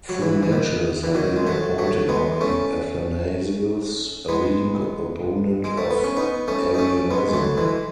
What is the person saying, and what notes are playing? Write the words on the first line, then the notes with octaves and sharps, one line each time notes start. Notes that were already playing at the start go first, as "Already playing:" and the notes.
Frumentius had been appointed by Athanasius, a leading opponent of Arianism.
F#3
E3
E3
D#3
E3
D#3 F#3
G#3
F#3 A3
F#3 A3
G#3 B3
A3 C#4
G#3 B3
G#3
A3
B3
C#4
B3 D#4
A3 C#4
D#4
A3 C#4
G#3 B3
G#3
F#3 A3
E3 G#3